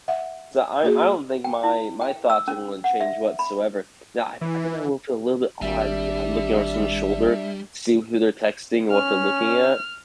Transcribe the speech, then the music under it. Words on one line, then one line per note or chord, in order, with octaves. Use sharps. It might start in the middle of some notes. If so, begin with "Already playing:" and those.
So I I don't think my my thoughts are gonna change whatsoever. Now, I I think I will feel a little bit odd if I'm looking over someone's shoulder, seeing who they're texting or what they're looking at,
E5 F#5
A#3 F#4 G#4
G5
E4
G5
E6
C#4
F#5
E5
B5
E3
G#1 G3 D4 E5
C#4 F6